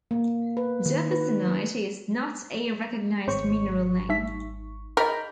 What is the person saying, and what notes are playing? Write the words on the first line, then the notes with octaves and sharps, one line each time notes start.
Jeffersonite is not a recognized mineral name.
A#3
B4
D#3
B4
G#1 C4 G#4 C#5 C#6
G3 D#4 E5 B6
G#4 A#4 D#5 G5 A#5 B5